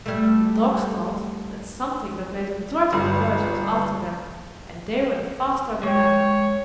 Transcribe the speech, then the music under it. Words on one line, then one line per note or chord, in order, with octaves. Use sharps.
The dogs thought that something that made a dreadful noise was after them, and they ran faster than ever.
G3 A3
G1
G#3 C#5 G5